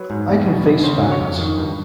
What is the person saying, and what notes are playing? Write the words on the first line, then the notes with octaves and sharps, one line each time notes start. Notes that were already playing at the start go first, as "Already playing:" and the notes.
I can face facts.
Already playing: F#3 B4
G#2
E2
B2
E2
C#3 C5
F#3
C#5
F2
D#3
G2